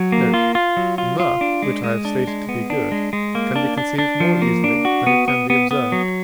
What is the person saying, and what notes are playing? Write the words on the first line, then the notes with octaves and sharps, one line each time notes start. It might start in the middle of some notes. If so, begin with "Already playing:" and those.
Note.--Mirth, which I have stated to be good, can be conceived more easily than it can be observed.
Already playing: F#3
A#3
F4
F4
F#3
F4
F4
D4
G#3
G#3
D4
G#3
B3
D4
G#3
G#3
A#3
D4
D4
D4
F3
A#3
D4
F#4
B3
B3
B3
B3
F#3